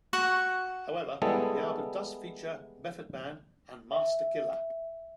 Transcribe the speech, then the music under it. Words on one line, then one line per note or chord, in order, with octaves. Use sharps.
However, the album does feature Method Man and Masta Killa.
F#4 F#5 C#6
G3 G#3 B3 E4 A4
E5